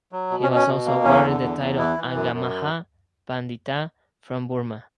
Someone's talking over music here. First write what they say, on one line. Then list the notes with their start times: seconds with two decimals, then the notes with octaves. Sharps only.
He was also awarded the title "Aggamaha Panditha" from Burma.
0.12 F#3
0.31 B2
0.43 C#4
0.49 B2
0.55 C#4
0.68 B2
0.86 A#3
1.04 E2 C#4
1.23 D3
1.41 E2
1.59 E2
1.78 E3 E4
1.96 E3
2.15 F#2
2.34 F#2